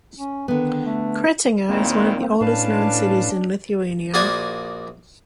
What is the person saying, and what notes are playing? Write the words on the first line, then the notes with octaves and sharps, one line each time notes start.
Kretinga is one of the oldest known cities in Lithuania.
C#4
D3 D#3 B3
A3
D#2 A#2 D#3 A#3 C4 E4
A2 C#4 D4 B4 F5 A5
A#1 A#3 F#4 G#4 D5 G#5